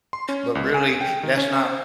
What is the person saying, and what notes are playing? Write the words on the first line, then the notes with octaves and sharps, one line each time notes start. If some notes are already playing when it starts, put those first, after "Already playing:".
but really that's not
C6
C#4
C#2
G#5
G5
D#3
C#4
C5